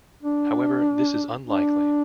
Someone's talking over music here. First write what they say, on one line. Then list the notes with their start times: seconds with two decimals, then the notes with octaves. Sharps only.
However this is unlikely.
0.22 D4
1.47 D4